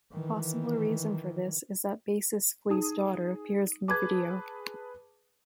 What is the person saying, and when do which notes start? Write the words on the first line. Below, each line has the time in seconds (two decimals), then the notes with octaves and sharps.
A possible reason for this is that bassist Flea's daughter appears in the video.
0.11 D#3 E3
2.70 D#4 G#4 D#6
3.88 G#4 B4 A5 D6 G#6